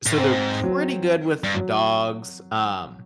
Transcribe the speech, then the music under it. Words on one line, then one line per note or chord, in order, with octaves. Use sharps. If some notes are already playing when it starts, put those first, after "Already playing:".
so they're pretty good with dogs. Um,
A2
G#2 C4
F#3
G2
F#3